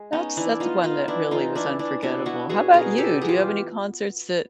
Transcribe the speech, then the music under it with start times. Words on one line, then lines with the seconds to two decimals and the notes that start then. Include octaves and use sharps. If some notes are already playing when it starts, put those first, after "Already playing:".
that's that's one that really was unforgettable. How 'bout you? Do you have any concerts that
Already playing: G#3
0.13 B3 C#4 D#4
0.37 E3 D4 E4
0.60 B3 D#4 F4
0.84 B3 D#4 F4
1.08 E3 D4 E4
1.31 E3 D#4 F4
1.55 E3 D4 E4
1.79 E3 D4
2.02 B2 D4 E4
2.26 B3 E4 F#4
2.49 B3 F#4 G#4
2.74 B2 G#4 A#4
2.97 B3 G4 A4
3.21 E3 G#4
3.28 F4 G4